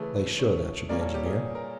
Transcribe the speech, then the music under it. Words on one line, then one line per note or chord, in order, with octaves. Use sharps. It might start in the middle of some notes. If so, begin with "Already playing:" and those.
"They should," answered the engineer.
Already playing: C#3 E3 A3
C#5
A#2 G3 A#3 C#4 D5
A4
G4
G#4
A#4